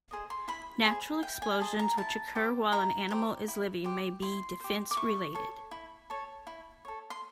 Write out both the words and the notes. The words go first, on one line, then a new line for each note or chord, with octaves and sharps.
Natural explosions which occur while an animal is living may be defense-related.
G#4 C5 D#5
C6
E4 B5
G#4 C5 D#5
E4 G5
G#5
G#4 C5 D#5 A5
A#5
E4 A5
G4 C5
E4 A#5
G4 C5
E4
G4 C5
E4 C6
G4 C5
D6
E4 C#6
A4 C#5
E4
A4 C#5
E4
A4 C#5
C6